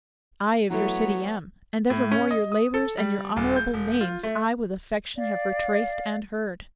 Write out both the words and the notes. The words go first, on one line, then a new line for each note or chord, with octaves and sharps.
I of your city am; and evermore Your labours and your honourable names I with affection have retraced and heard.
E3 F#3 A3 B3 C#5
A2
C#4
D#5
D#6
A4
G3
D#1
G6
E1
F4
A3
D5 F5